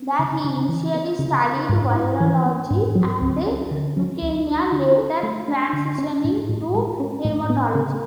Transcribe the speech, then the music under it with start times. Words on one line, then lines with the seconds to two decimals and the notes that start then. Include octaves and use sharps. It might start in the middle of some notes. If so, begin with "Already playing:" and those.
There he initially studied virology and leukemia, later transitioning to hematology.
Already playing: B3
0.19 C#3
0.44 C#3
0.69 E3
0.95 B3
1.19 C#3
1.44 B3
1.69 G#2
1.95 E4
2.20 E3
2.46 B3
2.71 G#2
2.95 F#3
3.21 D2
3.47 C#4
3.71 D3
3.97 F#3
4.22 D2
4.47 D4
4.72 D3
4.98 A4
5.23 A3
5.48 D4
5.73 D3
5.99 C#4
6.24 A2
6.49 A2
6.75 G#3
7.00 C#4
7.25 A2
7.50 B3
7.75 C#3